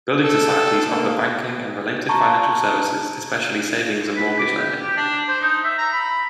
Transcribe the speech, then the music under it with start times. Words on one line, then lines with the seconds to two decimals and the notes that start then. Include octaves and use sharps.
Building societies offer banking and related financial services, especially savings and mortgage lending.
0.23 A4
0.89 A#3
2.09 A5 A#5 C#6
4.16 B4
4.39 D6
4.56 G4
4.96 D4
5.28 C5
5.41 D#4
5.64 E5
5.78 A#5
5.93 B5